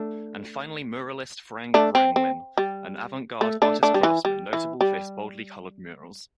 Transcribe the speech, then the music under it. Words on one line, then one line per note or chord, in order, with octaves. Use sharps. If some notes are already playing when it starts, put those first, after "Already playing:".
And finally muralist Frank Brangwyn, an avante-garde artist-craftsman notable for his boldly-coloured murals.
Already playing: A3 D4
A3 D4
C4
C4
G3
A3
A3 D4
A3 D4
G3
E3
G3
E3
G3